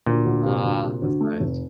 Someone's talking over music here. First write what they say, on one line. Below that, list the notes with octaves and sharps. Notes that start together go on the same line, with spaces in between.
Ah, that's nice.
D2 A#2
D2
C3
D2
C3
D2
A3
F1